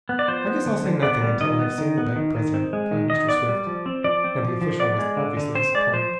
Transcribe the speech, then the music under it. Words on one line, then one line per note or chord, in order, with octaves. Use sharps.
"I guess I'll say nothing until I have seen the bank president," replied Mr. Swift, and the official was obviously disappointed.
B3
D5
F3 C5
B3
D3
D3
B3 D5
G3
D#3 D#5
B3
D#3
B3
D#3
D#3
C4
G#3
D#3
D#3 D#5
B3 D5
G3
F3
C4
F3 D5
C4
F3
F3
B3 D5
G#3
D3
D3
C4 C5
G#3 D5
F3 C5